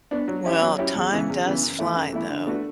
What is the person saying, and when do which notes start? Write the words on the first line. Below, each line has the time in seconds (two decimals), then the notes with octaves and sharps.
Well, time does fly though.
0.11 B3 D4
0.28 F#3
0.45 C#4 E4 G4
0.61 F#3
0.78 C#4 E4 G4
0.95 E2
1.12 C#3 E3 B3
1.29 E2
1.46 C#3 E3 B3
1.62 F#2
1.79 E3 A3 E4
1.96 F#2
2.13 E3 A3 E4
2.29 D3
2.47 A3 D4 F#4 B4